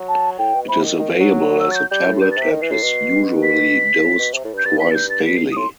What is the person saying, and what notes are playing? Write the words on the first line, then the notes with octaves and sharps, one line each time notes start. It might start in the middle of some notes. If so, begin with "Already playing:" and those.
It is available as a tablet and is usually dosed twice daily.
Already playing: F#3
A5
A2 G5
B2
C3 B5
D#3
D#3
E3
F#3
E6
A6
G6
G3 G6
A2
G2 G6
A6
C3 B6
D#3
E3 C7
A2 C7
B2
B6
A2
B2
C3
A2
G2
G6
G2 A6
B6
A6
G6
A6
B6
C7
D#6
A2 C6